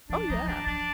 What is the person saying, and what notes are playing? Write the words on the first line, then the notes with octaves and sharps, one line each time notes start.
Oh, yeah.
E3 D4
F3 D#4
F#3 D4
F3 D4